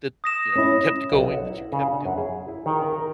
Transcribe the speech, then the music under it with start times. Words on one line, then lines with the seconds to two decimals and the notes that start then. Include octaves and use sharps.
that, you know, kept going that you kept doing?
0.24 D#6 A#6 E7
0.55 C#4 E4
1.12 B1
1.32 F#5
1.50 E4
1.72 C#3
1.91 D4
2.05 F#2
2.18 G#4
2.48 E4
2.66 D#3
2.84 A#4
2.96 A#4